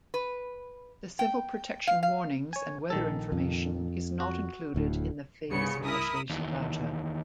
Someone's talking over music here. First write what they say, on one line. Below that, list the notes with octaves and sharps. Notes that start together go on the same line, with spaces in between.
The civil protection warnings and weather information is not included in the phase-modulated data.
B4
G5
F5
F5
C#5 G#5
A#1 D#3 A4
F2
F#4
D1 D2 A2
C2 G2 C#3 B3 C#7
E4 A#4 D#6
D#2 E3